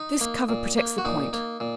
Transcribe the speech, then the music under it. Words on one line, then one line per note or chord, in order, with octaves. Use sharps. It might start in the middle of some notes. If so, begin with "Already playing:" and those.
This cover protects the point.
Already playing: D#4
A#3
A#2
A#3
F#4
A#2 D#4
A#3
A#2